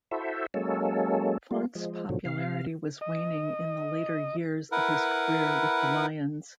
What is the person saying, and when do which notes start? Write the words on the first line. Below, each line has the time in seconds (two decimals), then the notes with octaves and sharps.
Fontes popularity was waning in the later years of his career with the Lions.
0.11 E4 F#4 A4 C5 E5
0.54 F#3 G#3 A#3 C#4 A4
1.51 G3 A3 F4
1.75 F3 G#3
2.09 G#2 B2 D3 F3 F#3
2.25 C3 F5
3.01 D#5
4.72 E4 A#4 B4 F#5